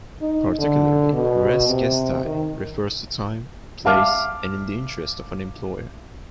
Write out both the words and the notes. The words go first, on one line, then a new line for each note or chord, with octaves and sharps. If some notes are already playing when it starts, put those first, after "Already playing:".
Particularly, "res gestae" refers to time, place, and in the interest of an employer.
D#4
D3
B2
C3
D#3
E5 F5 A5 D6 F6